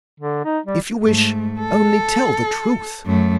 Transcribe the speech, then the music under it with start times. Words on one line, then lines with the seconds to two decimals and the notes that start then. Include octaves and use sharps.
"If you wish--only tell the truth."
0.20 D3
0.45 D#4
0.66 G3
1.03 G#2 A3
1.59 A4
3.06 F#2 A3